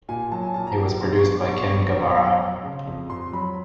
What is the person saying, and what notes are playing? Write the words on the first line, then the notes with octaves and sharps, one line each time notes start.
It was produced by Kim Gabara.
A#2 G#5
F#3 A5
G#5
A#2 A5
A#5
F#3
B2 C6
C#6
F#3
D6
B2 C6
C#6
F#3 C#6
B2
C6
F#3
F#3
C#3
F2
F2 C6
F#3 B5